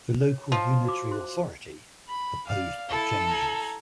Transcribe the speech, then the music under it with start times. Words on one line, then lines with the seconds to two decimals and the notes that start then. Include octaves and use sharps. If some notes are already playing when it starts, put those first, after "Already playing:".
The local unitary authority opposed the changes.
0.21 C#5
0.52 F3 D#5
0.85 F#4 D6
1.11 C5 C6
2.08 B5
2.47 D5 F5
2.89 E4 A4 A5
3.27 G#5 A#5